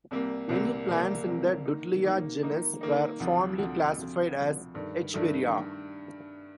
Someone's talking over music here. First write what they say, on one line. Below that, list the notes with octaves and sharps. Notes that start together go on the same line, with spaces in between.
Many plants in the Dudleya genus were formerly classified as "Echeveria".
C2 C3 G3 A#3
C2 C3 G3 A#3
C2 C3 G3 A#3
C2 C3 G3 A#3
D#3 A#3 D#4
D#3 A#3 D#4
D#3 A#3 D#4
D#3 A#3 D#4
D2 C3 F3
D2 C3 F3
D2 C3 F3
D2 C3 F3
G2 D#3 A3
G2 D#3 A3